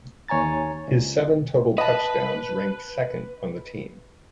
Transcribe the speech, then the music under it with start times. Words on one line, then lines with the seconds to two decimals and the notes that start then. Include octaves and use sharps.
His seven total touchdowns ranked second on the team.
0.28 D#2 C#5 G#5 A#5 A6
0.88 C#2
1.78 B4 D#5 A5